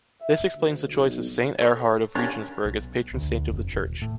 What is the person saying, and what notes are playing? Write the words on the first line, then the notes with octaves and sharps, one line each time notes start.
This explains the choice of St. Erhard of Regensburg as patron saint of the church.
E5
D2
B1
A4 C#5
A#3 C#4 D4 G4 C#5
B1
D2
F1
D#1
A2